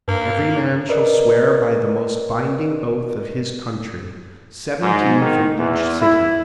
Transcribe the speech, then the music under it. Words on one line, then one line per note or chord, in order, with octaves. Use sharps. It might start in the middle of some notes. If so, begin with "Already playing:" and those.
Every man shall swear by the most binding oath of his country, seventeen from each city.
G2 A#3
A#4 B4 D5 D#5
G#2
D#3
E2
E4